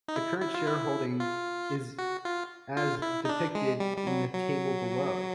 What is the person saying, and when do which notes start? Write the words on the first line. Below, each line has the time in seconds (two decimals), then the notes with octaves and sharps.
The current shareholding is as depicted in the table below.
0.08 D#4
0.16 E4
0.42 E4
0.54 F4
0.67 E4
1.20 F4
1.98 F#4
2.25 F4
2.77 F4
3.02 E4
3.25 D#4
3.29 D4
3.55 G#3
3.80 G3
3.98 G3
4.07 F#3
4.33 F#3